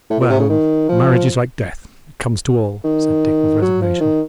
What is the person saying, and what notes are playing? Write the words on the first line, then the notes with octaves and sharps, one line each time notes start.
"Well! marriage is like death, it comes to all," said Dick, with resignation.
A2
A#2
C3
C#3
D#3
F3
D#3
F#3
F3
D#3